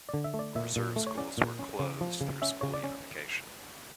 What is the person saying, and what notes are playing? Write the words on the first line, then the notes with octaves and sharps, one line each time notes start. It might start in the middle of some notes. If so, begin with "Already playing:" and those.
Reserve schools were closed through school unification.
D3 D5
E5
A3
D5
A#2 E5
A#2
A3
C#5
C#4 D5
A#2
C#4
C#3
F3
C#3
C#4 E5
C#3 C#5
D5
C#4